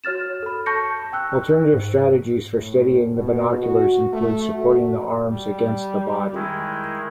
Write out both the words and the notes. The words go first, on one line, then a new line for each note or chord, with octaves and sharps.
Alternative strategies for steadying the binoculars include supporting the arms against the body.
F#4 C#5 F6 A6 E7
A4 B5
A5 C#6 G6 A#6 C#7
G5 E6 F#6
G#2
A2
B2
F#4
A3
F#4
G3
D#3 G#3 E4